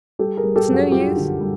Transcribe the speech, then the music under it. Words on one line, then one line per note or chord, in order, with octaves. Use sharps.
It's no use.
G3 G4 A4
G#4 A#4
G3
G4 A4
F#2
F#4 G#4
G3 F4 G4
D3
G3